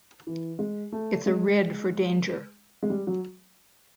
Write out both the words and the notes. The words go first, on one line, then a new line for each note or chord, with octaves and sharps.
It’s a red for danger.
E3
G#3
A3
G#3
G#3
G3
F#3